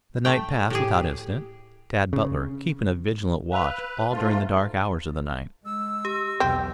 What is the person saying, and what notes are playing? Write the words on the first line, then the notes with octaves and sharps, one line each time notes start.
The night passed without incident, Tad Butler keeping a vigilant watch all during the dark hours of the night.
A3 G5
A2 G4 G#4
C#3
B4 F5 E6 F7
G#2 A3 F4
G#3 E6
G4
B1 E2 C4